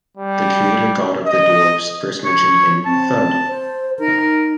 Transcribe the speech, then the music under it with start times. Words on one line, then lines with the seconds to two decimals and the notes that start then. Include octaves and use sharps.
The creator god of the dwarfs, first mentioned in "Thud!".
0.17 G3
1.26 D#5
2.25 C#5
2.85 C4 A5
3.48 C5
3.99 D#4 A#4